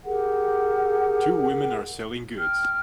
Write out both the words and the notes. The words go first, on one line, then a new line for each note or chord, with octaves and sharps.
Two women are selling goods.
G4 G#4 A#4 F#5
G5 F6